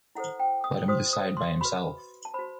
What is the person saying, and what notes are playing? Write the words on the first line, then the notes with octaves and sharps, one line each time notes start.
Let him decide by himself.
E4 A4 C5 F#5
G5
D#6
F#4 C5 D#6
D#6
C6
F#4 B4 B5
A5
F#4 C5 B5